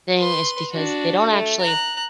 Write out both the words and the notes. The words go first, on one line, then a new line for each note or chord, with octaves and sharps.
thing is because they don't actually
B4 C6
D4 F#4
A3
A#5 F#6